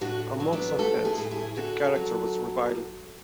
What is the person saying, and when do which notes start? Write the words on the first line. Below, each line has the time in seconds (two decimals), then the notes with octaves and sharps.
Among some fans, the character was reviled.
0.01 A2 D4 F#4
0.40 F#3
0.53 B3 D4
0.79 A3 F#4 A4
1.05 E4 G#4
1.18 A2
1.31 E4 G#4
1.56 D3 F#4 A4
1.96 F#3